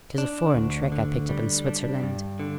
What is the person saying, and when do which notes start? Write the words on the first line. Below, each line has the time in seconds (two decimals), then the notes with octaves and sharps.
'Tis a foreign trick I picked up in Switzerland.
0.18 D4
0.54 D2
0.92 D3
1.29 G3
1.66 D4
2.03 G2
2.40 D3